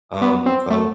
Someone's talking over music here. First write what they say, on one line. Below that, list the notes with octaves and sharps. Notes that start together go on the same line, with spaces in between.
Um, so
B3
C4
A3